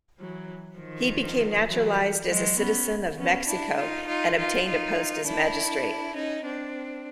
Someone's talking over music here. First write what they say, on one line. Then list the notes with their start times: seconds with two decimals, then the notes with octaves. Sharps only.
He became naturalized as a citizen of Mexico and obtained a post as magistrate.
0.19 E3 F#3
0.78 D#3 F3
1.68 E3 F#3
2.28 F#3 G#3
2.57 B3 C#4
3.17 B3 C#4
3.47 D4 E4
3.77 D#4 F4
4.06 D#4 F4
4.37 D#4 F4
4.66 D#4 F4
5.26 D4 E4
6.15 C#4 D#4
6.45 C4 D4